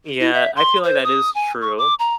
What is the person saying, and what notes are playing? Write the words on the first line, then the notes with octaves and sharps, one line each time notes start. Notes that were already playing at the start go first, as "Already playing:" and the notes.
Yeah, I feel like that is true.
E4
E5
C6
C5
D#6
G#5
C#6
D6
A#5